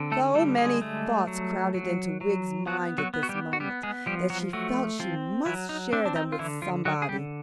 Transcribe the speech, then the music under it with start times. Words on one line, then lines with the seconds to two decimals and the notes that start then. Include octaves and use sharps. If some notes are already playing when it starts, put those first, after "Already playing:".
So many thoughts crowded into Wiggs's mind at this moment that she felt she must share them with somebody.
Already playing: D3 C4
0.12 A3 A4
0.35 G3 A3 A4
0.58 G#3 G#4
0.82 A3
1.27 F#3
1.74 F#3
2.21 F#3
2.67 F#3 B3 F#4
2.98 F#3 F#4
3.14 B3
3.23 F#4
3.29 G3 G4
3.53 F#4
3.60 G3 B3 G4
3.83 G#3 G#4
4.06 F3 G3 G4
4.30 F#3 F#4
4.53 F#3 A3 F#4
4.99 F3 C4 F4
5.46 E3 F#3 E4
5.69 D#4
5.93 C4 D4
6.05 D4
6.16 D#4
6.32 F4
6.39 D3 E3 E4
6.62 F3 F4
6.85 D3 F#3 F#4
7.02 G#4
7.09 G3 G4